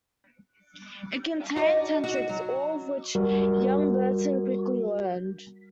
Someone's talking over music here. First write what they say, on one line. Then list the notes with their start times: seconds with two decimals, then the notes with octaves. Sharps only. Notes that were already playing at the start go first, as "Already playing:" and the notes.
It contained ten tricks, all of which young Burton quickly learned.
1.56 D4 D#4 F#4
2.04 F#4
2.29 F#3
3.15 G3 F#4 A#4